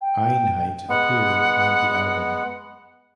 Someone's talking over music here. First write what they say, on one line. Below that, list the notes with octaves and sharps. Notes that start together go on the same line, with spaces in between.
Einheit appear on the album.
G5
G#3 B3 F#5